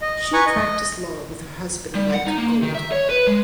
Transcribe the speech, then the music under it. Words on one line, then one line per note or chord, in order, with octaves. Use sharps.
She practiced law with her husband Mike Gold.
D#5
B4 G#5 A#5 C#6
D#5
G3
F#5
D#4
A#3
D#3
E5
C#5
B4
G#3